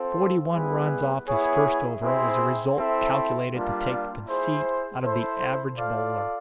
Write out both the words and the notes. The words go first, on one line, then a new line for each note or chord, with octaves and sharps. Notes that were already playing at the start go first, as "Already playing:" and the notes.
Forty-one runs off his first over was a result calculated to take the conceit out of the average bowler.
Already playing: C4 F4 A4 C5
G3 B3 E4 G#4 B4
B3 E4 G#4 C#5
C4 E4 G#4 C5 E5
C4 E4 A4 C5 E5
G3 A#3 D4 F4
E4 G#4 C5
E4 A4 C5
F4 A4 D5 F5